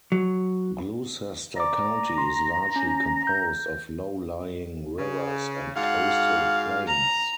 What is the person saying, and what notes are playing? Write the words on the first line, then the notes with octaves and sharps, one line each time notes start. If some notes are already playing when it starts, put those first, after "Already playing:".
Gloucester County is largely composed of low-lying rivers and coastal plains.
F#3
D5 A#5 D6
C6
C#4
G6
C#3
G#2 F#4 F5 F#5
A#5